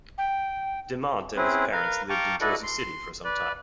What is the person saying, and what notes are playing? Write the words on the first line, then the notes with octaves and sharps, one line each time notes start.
Dimant and his parents lived in Jersey City for some time.
G5
C4 C#4 E4 G#4 B4 C5
A#4 B4 F5
F5 G5 A5 A#5 C#6 D6
E4 F#4 A4 B4 D5 D#5
C6
B4 D5